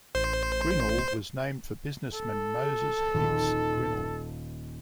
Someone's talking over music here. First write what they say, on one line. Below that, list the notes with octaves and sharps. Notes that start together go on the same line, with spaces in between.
Grinnell was named for businessman Moses Hicks Grinnell.
A1 C5
A4
D#1